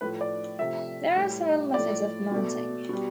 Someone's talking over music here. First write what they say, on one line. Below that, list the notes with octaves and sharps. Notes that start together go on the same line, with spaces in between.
There are several methods of mounting.
A2 F3 A3 B4
D5
C3 F3 A3 E5
A2 G3
A2 F3 A3 D5
B2 A3
B2 G3